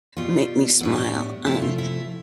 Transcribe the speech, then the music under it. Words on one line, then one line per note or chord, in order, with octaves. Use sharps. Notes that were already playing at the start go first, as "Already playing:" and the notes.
make me smile, um,
B2 G3 B3 F4
A2 G3 B3 E4
D4
B3
C3 F3 A3 E4
F4
E4